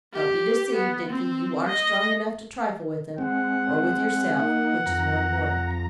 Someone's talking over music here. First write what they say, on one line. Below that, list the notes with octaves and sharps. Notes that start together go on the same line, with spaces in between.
Don't be deceived, Dickie, you aren't strong enough to trifle with them,--or with yourself, which is more important.
G4
B3
C4
D#5
G#3 C4 F#5
A#3 D#4
F2 A#5